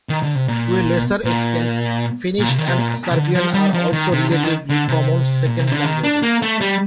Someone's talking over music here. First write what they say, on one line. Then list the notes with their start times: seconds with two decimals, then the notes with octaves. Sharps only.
To a lesser extent, Finnish and Serbian are also relatively common second languages.
0.09 D#3
0.23 D3
0.35 C3
0.48 A#2
1.24 A#2
2.39 A#2
2.49 C3
2.58 D#3
2.67 C3
2.78 A#2
3.11 C3
3.16 D3
3.35 F3
3.54 G3
3.74 F3
3.93 D#3
4.12 C3
4.32 D3
4.43 D#3
4.69 D3
4.88 C3
5.47 A#2
5.59 C3
5.72 D3
5.85 D#3
6.04 D4
6.23 A#3
6.42 A3
6.61 G3